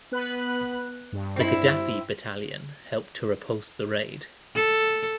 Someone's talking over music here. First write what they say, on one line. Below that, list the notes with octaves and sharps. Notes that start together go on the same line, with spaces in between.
The Gaddafi Battalion helped to repulse the raid.
B3 B4 F#6
G2
C4 E4
A4